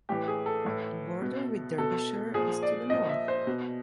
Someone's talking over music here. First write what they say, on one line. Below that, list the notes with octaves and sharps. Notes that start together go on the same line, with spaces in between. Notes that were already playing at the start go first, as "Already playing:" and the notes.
The border with Derbyshire is to the north.
A2 E3 G4
G#4
A4
A2 E3
B2
B2 A4
A#2 F3 G#4
D5
A#2 F3 D#5
E5
C5
B2